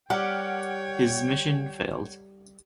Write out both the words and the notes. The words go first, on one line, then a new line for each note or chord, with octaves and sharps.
His mission failed.
G3 G4 A#4 C#5 F#5 G5